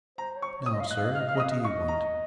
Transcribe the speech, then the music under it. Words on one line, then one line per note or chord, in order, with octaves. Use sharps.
'Now, sir, what do you want?
C5 A#5
C#5
C#6
C5
C#5
D#6
D#5
F5
D#5 F#6
F5
D#5
F5
F6
D#5
F5 F6
D#5
D#6
F5
D#5
F5
C#6
D#5
A#5